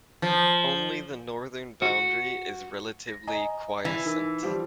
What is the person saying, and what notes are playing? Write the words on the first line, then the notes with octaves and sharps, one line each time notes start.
Only the northern boundary is relatively quiescent.
F3
F#4
A#6
D#5 G#5 A#5
E3
D#4 A#4 E6
F3 G3 G4